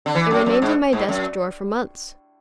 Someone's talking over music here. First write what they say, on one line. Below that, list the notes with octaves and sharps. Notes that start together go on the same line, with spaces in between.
It remained in my desk-drawer for months.
D3
E3
F#2
F#2
G#2
G#2
F#2